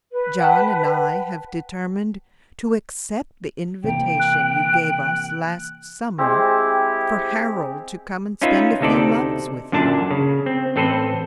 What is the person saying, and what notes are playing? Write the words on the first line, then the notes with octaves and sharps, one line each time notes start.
John and I have determined to accept the invitation you gave us last summer for Harold to come and spend a few months with you.
B4
F#5 G5 A5
C3 E3 A#3 G5
F#6
G#3 C4 E4 G4
C#4 D#4 F4 B4 E5
D2 C3 D#4 A4 C5 D5
F#2 A#2 D3 D4 A5
C#3
C4
A1 C4 A4 B4 C5